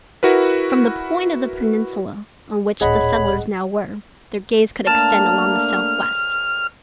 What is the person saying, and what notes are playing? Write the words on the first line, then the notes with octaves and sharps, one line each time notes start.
From the point of the peninsula on which the settlers now were their gaze could extend along the southwest.
E4 F#4 A#4 B4
D1 A#1 G#4 C#5 D#5 F#5 B5
A3 A#3 D4 A5 F6